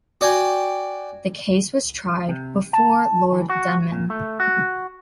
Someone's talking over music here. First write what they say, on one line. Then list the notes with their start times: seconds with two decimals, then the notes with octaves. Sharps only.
The case was tried before Lord Denman.
0.21 F#4 D5 G5 G#5
2.28 C3
2.73 A5
3.33 E3
3.50 F#4
3.92 A#2
4.10 A3
4.40 F#4